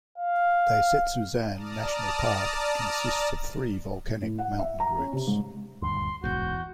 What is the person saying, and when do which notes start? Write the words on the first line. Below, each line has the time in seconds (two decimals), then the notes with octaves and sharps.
Daisetsuzan National Park consists of three volcanic mountain groups.
0.18 F5
1.54 D5 A5 A#5 D#6 F6
4.22 A2
4.38 F#5
4.59 E5
4.80 A#5
4.99 C#4
5.13 C3
5.27 G#2
5.82 D#1 D2 G2 C6
6.24 D1 B1 E2 G#2 F#4 G6